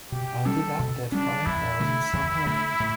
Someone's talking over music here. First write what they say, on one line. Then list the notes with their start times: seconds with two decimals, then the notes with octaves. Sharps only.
I'll dig up that five thousand somehow.
0.12 B2 G4
0.46 G3 C#4 A4
0.79 B2
1.12 G3 C#4 D4
1.46 E2 E4
1.80 D3 A3
2.13 E2
2.46 D3 A3
2.80 A2